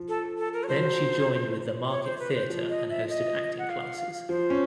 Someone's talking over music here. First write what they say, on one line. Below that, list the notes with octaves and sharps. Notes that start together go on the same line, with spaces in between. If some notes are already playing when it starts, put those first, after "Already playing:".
Then she joined with the Market Theatre and hosted acting classes.
Already playing: F3
A4
A4
A#4
C#5
F3 C5
F#3
F3
C#5
C5
B4
C5
F3
D#5
E5
D#5
F#5
F5
F3 C5
C#4